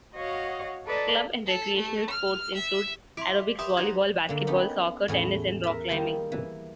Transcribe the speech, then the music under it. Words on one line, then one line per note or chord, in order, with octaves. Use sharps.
Club and recreational sports include aerobics, volleyball, basketball, soccer, tennis and rock climbing.
F#4 C#5 D#5 F5 F#5
A4 B4 D5 D#5 A5 A#5
A4
A3
F6
E5
E4 C6 D6 B6 D7 F7
G4 B4 E5 G5 C6 D#6 F7
D#4 F#4 G#6
D3 A#3
B3 C#4 D#4 G4
E2 A2 C#4 G#4
A#4 E5
D#3 G3 A#3 G#4 C5
E3